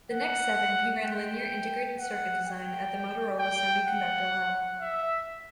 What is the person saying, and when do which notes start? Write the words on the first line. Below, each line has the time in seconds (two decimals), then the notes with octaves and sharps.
The next seven, he ran linear integrated circuit design at the Motorola Semiconductor Lab.
0.11 F#5
1.04 G5
1.99 F#5
2.46 G5
3.39 G5
3.87 F#5
4.80 E5